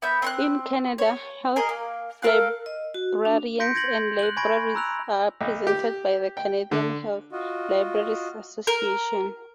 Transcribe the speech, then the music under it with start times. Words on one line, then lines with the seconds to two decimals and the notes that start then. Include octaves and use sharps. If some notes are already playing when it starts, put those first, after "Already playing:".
In Canada, health librarians and libraries are represented by the Canadian Health Libraries Association.
0.02 B3 E5 B5 G6
0.22 C4 C6 F#6
0.98 C#5
1.56 G#4 A#4 D#5
1.69 A#3
2.22 A4 A#4 F5 F#6
2.66 D#5
2.94 F#4
3.25 D4
3.60 C6 G6 A#6 B6 C#7 D7
3.75 G#6 A#6 F#7
4.19 F#6 F#7
4.37 G#5 B5 C#6 G#6 A#6 D7
4.75 A#5 E6 F#6 F7
5.41 B1
5.67 G4
6.37 G5
6.71 D3
7.32 F4 F#4 D#5
8.67 A#4